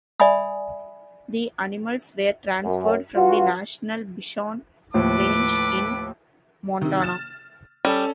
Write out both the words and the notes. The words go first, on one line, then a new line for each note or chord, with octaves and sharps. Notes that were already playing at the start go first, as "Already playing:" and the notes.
The animals were transferred from the National Bison Range in Montana.
D5 E5 G#5 B5 D#6
F#2
G2 F4 F#4
D#2 A2 F3 A4 B4 D6
C3 D#3
F6 A6 E7
G3 C#4 A4 A5